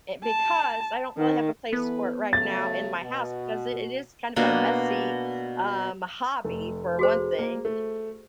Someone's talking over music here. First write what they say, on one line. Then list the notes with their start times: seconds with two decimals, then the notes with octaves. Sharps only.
it because I don't really have a place for it right now in my house because it is kind of a messy, um, hobby for one thing,
0.24 A5
1.17 D#3
1.73 E3 B3 A4 B4
2.33 C#3 F#3 A3 A6
3.02 B2 F#4
4.36 B2 A#3 D4
6.44 F1 A3
6.99 F#4 G#4 C5
7.39 A#3
7.65 A3